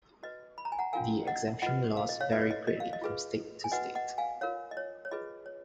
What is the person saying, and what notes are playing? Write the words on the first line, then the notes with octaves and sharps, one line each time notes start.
The exemption laws vary greatly from state to state.
F#4 B4 D#5
B5
A#5
G#5
F#5 A#5
C#4 F4 A#4 F5 G#5
D#5 F#5
F4 B4 D#5 F#5
F5
D#5
C#5 F5
F4 B4 D#5
C#5
D#5
D#5
F5
D#5
F4 G#4 B4
G#5
F#4 B4 D#5 F#5
D#5 F#5
F5 G#5
F4 A#4 C#5 F5
D#5
C#5
C#5
F4 G#4 B4 D#5
C#5